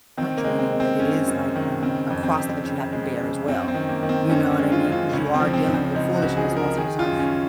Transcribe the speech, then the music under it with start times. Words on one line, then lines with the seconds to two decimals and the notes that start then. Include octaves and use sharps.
not draining, but it is like, uh, a cross that you have to bear as well, you know what I mean? 'Cause you are dealing with foolishness most of the time
0.17 D#3 C4
0.37 A#3
0.44 G#3
0.59 C4
0.72 G#3
0.80 C4
0.99 F#2 C#4
1.27 F#2
1.56 D#3
1.82 C#3 C4
2.10 F2
2.23 C4
2.37 F2
2.64 C#3
2.92 G#3
3.20 C#3
3.48 F#2 C4
3.68 C4
3.75 D#3
3.89 A#3
4.03 D#3
4.09 C4
4.30 F#2 C#4
4.51 C#4
4.58 G#3
4.72 F4
4.85 F#2
4.92 F4
5.13 C#2 C#4
5.34 C4
5.40 F3
5.53 C4
5.68 C#2
5.74 C4
5.95 C#2 D#4
6.16 F#4
6.22 C#2
6.37 G#4
6.51 F3
6.57 A#4
6.77 D#3 G#4
6.99 F4
7.05 F#2
7.19 C#4